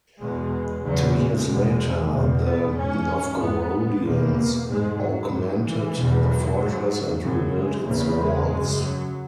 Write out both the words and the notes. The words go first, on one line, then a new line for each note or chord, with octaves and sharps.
Two years later, the Novgorodians augmented the fortress and rebuilt its walls.
E2 B2 G#3
E2 C#3 F#3
G#3
E2 B2
E2 B2
B3
G#2 C#4
G#2 B3
E2 B2 A#3
G#2 G#3
F#3
G#2
E3
E2 B2
F#3
G#2
F#2 C#3
G#3
E2 C#3 A#3
G#3
F#2 C#3
F#3